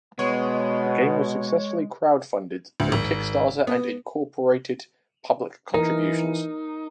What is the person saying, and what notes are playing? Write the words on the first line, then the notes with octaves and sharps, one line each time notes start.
The game was successfully crowdfunded through Kickstarter and incorporated public contributions.
B2 G#3 B3 C#5
D2
G#1
B3
E3 D#4 A#4